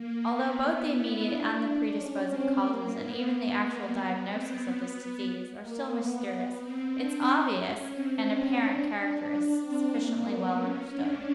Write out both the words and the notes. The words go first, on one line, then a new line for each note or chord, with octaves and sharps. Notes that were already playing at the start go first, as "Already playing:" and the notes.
Although both the immediate and the predisposing causes, and even the actual diagnosis, of this disease are still mysterious, its obvious and apparent character is sufficiently well understood.
Already playing: A#3
B3
B3
E4
D4
C#4
C4
A#3
B3
A#3
B3
C4
B3
A#3
B3
C4
D4
C#4
C4
C#4
D4
D4
D4
C4
A#3
B3
C#4
D4